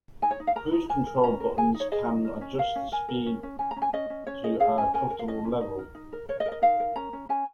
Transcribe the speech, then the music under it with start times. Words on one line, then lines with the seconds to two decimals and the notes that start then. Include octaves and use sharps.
Cruise control buttons can adjust the speed to a comfortable level.
0.22 D#4 G#5
0.31 C#5
0.40 D#4
0.47 F5
0.56 A#4 A#5
0.73 D#4
0.89 A#4 G#5
1.07 A#4
1.24 C#4 A#5
1.40 A#4
1.57 G#4 G#5
1.74 D#4
1.80 C#5
1.92 G#4 D#5
2.08 D#4
2.25 A#4
2.41 C#4
2.59 A#4 F5
2.76 C#4
2.92 A#4 G#5
3.09 A#4
3.26 C#4
3.43 C#4
3.59 C#4 G#5
3.71 A#5
3.76 C#4
3.82 G#5
3.93 C#4 D#5
4.10 C#4
4.27 C#4 C#5
4.44 G#4 D#5
4.60 G#4 F5
4.77 C#4 G#5
4.94 A#4 G#5
5.10 A#4
5.19 F5
5.28 C#4 D#5
5.45 C#4
5.61 D#4
5.79 A#4
5.95 D#4
6.13 A#4
6.29 A#4 C#5
6.40 D#5
6.46 A#4
6.52 D#5
6.62 D#4 F5
6.80 A#4
6.96 C#4 A#5
7.13 C#4
7.29 C#4 G#5